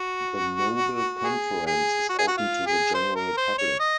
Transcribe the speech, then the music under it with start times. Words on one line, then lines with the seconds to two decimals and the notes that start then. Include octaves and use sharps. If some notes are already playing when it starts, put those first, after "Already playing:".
The Noble conference is open to the general public.
Already playing: F#4
1.24 G#4
1.67 G#4
2.09 F#4
2.19 G#4
2.28 F#4
2.37 F4
2.66 G#4
2.94 C5
3.15 A#4
3.37 C5
3.58 C#5
3.80 D#5